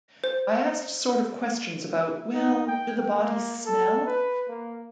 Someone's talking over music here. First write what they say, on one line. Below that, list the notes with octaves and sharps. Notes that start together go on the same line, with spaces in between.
I asked sort of questions about, 'Well, do the bodies smell?
C5
D#4
G5
A#3
A4
B4
A#3